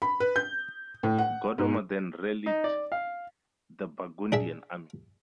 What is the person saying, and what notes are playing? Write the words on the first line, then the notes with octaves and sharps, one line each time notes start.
Godomar then rallied the Burgundian army.
B5
B4
G6
A2
F#5
G#2
D#4
D5
F5
D4 G#4 E5